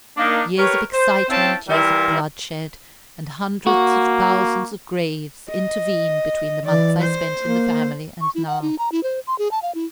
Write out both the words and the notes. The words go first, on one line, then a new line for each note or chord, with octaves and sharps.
Years of excitement, years of bloodshed, and hundreds of thousands of graves intervene between the months I spent in the family and now.
A#3 D4 D#4
G4 A#4 B4 C#5
C5
C4 C#4 E4 F5 G5 A5
E3 G3 E4 F4 A#4
A#3 F#4
D#5
E3 D5
C5
A#3
C#6
E4
F#5
D#4
A#5
E4
C5
C6
G#4
A5
F5
E4